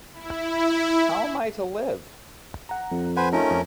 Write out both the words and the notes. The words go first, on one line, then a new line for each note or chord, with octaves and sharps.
How am I to live?
E4
F#5 A#5
F2
B4 C5 F#5 G#5
A3 C#4 D#4 F4 A#4
F2